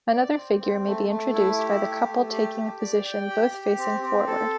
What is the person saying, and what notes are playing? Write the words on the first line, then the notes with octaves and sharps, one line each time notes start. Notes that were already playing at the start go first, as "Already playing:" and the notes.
Another figure may be introduced by the couple taking a position both facing forward.
D5
C4
C4
A3
A3
E4
G4
A3
A3
G4
G4
D5
G5
G4
G4
C4
C4
A4